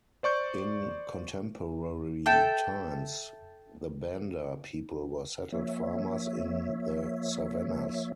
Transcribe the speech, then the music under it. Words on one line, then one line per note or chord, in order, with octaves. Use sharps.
In contemporary times, the Banda people are settled farmers in the Savannas.
C5 D5 C#6 G6
A4 E5 G5
F3 A#3 C#5 E5